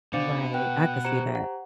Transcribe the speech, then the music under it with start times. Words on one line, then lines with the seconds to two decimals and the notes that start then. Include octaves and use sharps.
Right. I could see that.
0.13 B2 D4 C5 D5 F5 C#7
0.54 B4 F#5 G5
1.04 G4 C5 A#5 C#7 E7
1.35 F#5